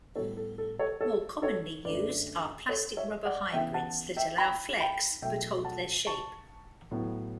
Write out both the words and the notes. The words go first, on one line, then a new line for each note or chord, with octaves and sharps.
More commonly used are plastic-rubber hybrids that allow flex but hold their shape.
A2 G3 B3 A4 C#5
A4
A4
A4 C#5
A4 C#5
A4 C#5
F#2 D3 A3 B4 D5
A4 C#5
C#5 E5
D5 F#5
C#3 E3 B3 E5 G5
F#5 A5
E5 G5
G5 B5
G5 B5
B2 F#3 A3 E5 G5
F#5 A5
A5 C#6
A2 F#3 B3